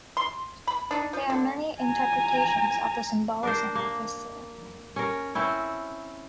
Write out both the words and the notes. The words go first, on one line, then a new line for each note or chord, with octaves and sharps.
There are many interpretations of the symbolism of this seal.
C6
B5
D4 D#4
F3
D3
G#5 A#5
D4 A#4 C5
A#3
C#4 A#4
C4 C#4 E4